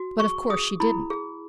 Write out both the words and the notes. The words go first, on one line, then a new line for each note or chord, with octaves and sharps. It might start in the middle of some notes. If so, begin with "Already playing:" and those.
But of course she didn't.
Already playing: F#4
G#4 C#6
G#4 D#6
E4 B5
G#4